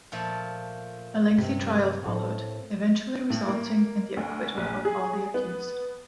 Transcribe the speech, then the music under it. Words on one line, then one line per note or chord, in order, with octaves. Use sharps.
A lengthy trial followed, eventually resulting in the acquittal of all the accused.
A#2 F3 A3
G2 C3
A2 C4 A4
A2
A#3
D2
A#1
G#4
B3